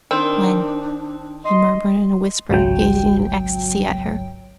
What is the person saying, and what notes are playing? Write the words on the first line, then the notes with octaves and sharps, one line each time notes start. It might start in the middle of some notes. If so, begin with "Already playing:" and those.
"When?" he murmured in a whisper, gazing in ecstasy at her.
D#3 C4 D4
D#5 C6
G#1 C#2 F#3 G5